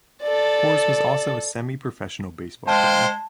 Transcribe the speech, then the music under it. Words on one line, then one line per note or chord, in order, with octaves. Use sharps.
Coors was also a semi-professional baseball player.
A4 D5
G#3 C5 F5 G5 A5